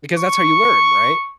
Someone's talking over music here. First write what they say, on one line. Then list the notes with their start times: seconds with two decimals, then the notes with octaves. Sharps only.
Because that's how you learn, right,
0.19 C#6